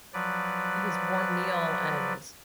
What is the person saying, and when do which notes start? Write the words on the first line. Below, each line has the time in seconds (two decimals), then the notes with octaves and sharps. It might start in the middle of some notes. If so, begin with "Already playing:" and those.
his warm meal and
0.13 F3 F#3 B4 D5